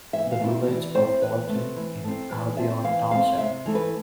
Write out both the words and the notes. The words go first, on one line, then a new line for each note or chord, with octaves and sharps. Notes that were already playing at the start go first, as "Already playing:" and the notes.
The village of Bolton in Albion Township.
E3 E5
F5
A3 C4 E4
E3 D5
A3 C4 E4 C5
E3 B4
A3 C4
E3
A3 C4
E3 D5
A3 C4 E5
E3 F5
A3 C4 F5
C3 E5
E3 A3 E4
B4